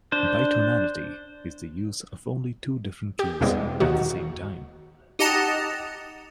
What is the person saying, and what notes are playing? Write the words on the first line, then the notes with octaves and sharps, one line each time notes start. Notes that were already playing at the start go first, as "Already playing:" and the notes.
Bitonality is the use of only two different keys at the same time.
D4 C5
G4
E2 B2 E3 G3 G#3 C4
D#2 D#3 D#4 F#4
D#4 G4 D#5 F#5 A5 A#5